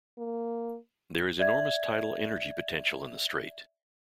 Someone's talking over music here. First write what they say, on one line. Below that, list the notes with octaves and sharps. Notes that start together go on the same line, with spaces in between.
There is enormous tidal energy potential in the Strait.
A#3
D5 E5 G#6